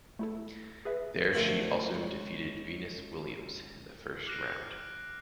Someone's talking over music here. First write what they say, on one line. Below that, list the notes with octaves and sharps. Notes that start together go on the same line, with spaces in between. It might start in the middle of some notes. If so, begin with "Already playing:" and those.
There she also defeated Venus Williams in the first round.
A3 E4 A4
G#4 B4 E5
D2 D3 F3 A#4 E5
C#2
D6 F6 F#6 A#6 C7 D7